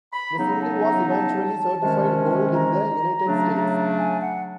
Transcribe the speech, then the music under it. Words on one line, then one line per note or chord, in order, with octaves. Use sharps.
The single was eventually certified gold in the United States.
B5
C#3 F#3 B3 D#4 A#5
A5
A#5
A5
C3 D#3 G#3 C#4
A#5
C#3 F#3 A3 D4
G#5
F#5